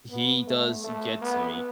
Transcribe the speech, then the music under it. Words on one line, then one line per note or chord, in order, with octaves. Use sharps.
he does get to me.
B3
A3
A3
B3